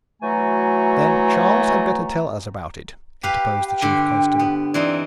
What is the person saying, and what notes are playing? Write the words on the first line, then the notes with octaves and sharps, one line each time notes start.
"Then Charles had better tell us about it," interposed the chief constable.
E3 F#3 A3 F#4 G#5 A#5
G4 B4 F5 G5
G5
G2 D3 G4
B3
E3 C4 D#4 D5